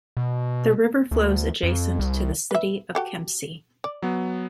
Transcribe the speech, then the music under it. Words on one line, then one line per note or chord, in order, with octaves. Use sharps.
The river flows adjacent to the city of Kempsey.
B2
D2
F2
C2
B4 E5
F#4 G4 A4
D5
F#3 B3